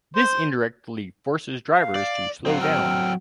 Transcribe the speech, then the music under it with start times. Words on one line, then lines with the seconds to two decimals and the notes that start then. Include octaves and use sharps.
This indirectly forces drivers to slow down.
0.16 C5
1.75 F5
1.95 D5
2.46 F#3 C4 F5
2.61 G5 E6 F6